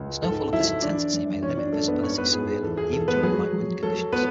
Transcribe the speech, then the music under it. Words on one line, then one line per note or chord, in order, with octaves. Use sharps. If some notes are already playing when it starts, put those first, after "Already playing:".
Snowfall of this intensity may limit visibilities severely, even during light wind conditions.
Already playing: C#2
G#2 A4
F#3 E4 E5
E3 D4 D5
F#2
E3 C#4 C#5
D4 D5
F#2 A4
B3 B4
G#2 C#4 C#5
B3 B4
G#2 G#4
G#4
E2 A4
G#4
E3 A4
B3 B4
F#3 G#4
F#3
F#3 A4
B3 B4